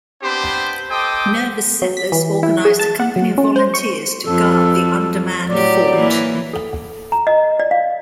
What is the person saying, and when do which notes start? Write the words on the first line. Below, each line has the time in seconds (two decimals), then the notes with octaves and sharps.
Nervous settlers organized a company of volunteers to guard the undermanned fort.
0.23 B3 C4 D4 G4 B4 C5
0.90 A4 C5 D#5 G5 D6 D#6
1.82 F#3
1.97 B6
2.12 E3
2.43 E4
2.65 G#4
2.79 A5
3.00 F#5
3.16 F#3
3.38 C#4
3.56 C5
3.74 C#6
4.26 F2 A4
5.49 A2 F#3 G4 D5
5.94 E3 A#3
6.53 A4
7.12 A#5
7.27 D#5
7.60 D5
7.71 F5